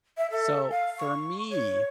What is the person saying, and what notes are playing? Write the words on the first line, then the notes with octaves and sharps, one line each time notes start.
So, for me,
E5
A4
F5
C#6
C#5